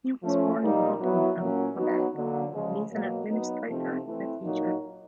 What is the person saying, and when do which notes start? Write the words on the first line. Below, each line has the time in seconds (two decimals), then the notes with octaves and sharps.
He was born in Buckingham, Quebec and is an administrator, and a teacher.
0.22 F3 A3 C#4
0.61 A#2 G3 A#3 D#4
0.99 F#3 B3 E4
1.38 A#2 F#3 A#3 C#4
1.76 F#3 B3 D#4
2.14 D3 F#3 A#3
2.52 C#3 F3 G#3
2.90 B2 F#3 A#3
3.29 F#3 B3 D#4
3.68 C3 F3 A3 C4 D#4
4.05 E3 A3 C4
4.44 A#2 F#3 A#3 D#4